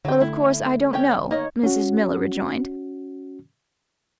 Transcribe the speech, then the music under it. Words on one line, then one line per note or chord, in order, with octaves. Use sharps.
"Well, of course, I don't know," Mrs. Miller rejoined.
D3 F#3 G5
A3 E4
C#4 C#5 G5
A#3 D#4 C#5 D#5
C#4 F#4